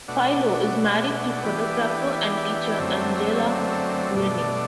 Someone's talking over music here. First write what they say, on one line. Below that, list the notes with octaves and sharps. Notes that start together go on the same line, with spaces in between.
Filo is married to photographer and teacher Angela Buenning.
B2 A3 D4 F#4
E3 B3 D4 G4
F#2 D3 A3 C4
B2 A3 D4